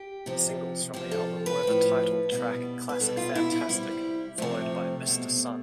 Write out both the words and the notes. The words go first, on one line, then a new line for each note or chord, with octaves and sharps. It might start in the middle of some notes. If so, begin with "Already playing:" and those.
Singles from the album were the title track "Classic Fantastic" followed by "Mr Sun".
Already playing: G4
C3 F3
C3 F3 G4
A4
B4
A2 F3
B2 G3
B4
B2 G3 A4
F4
E4
E4
C3 G3 E4
C3 F3 A3
B2 G3